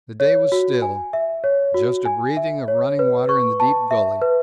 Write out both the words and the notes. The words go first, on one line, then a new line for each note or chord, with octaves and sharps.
The day was still--just a breathing of running water in the deep gully.
C#5
F#4
G#5
E5
C#5
F#4
G#5
E5
C#5
B4
C#6
A5
E5
B4